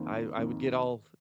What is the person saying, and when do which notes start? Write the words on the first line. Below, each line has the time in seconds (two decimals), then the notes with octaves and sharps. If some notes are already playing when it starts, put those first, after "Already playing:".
I I would get all
Already playing: F2 D#3 A#3 C5
0.36 F2 D#3 A#3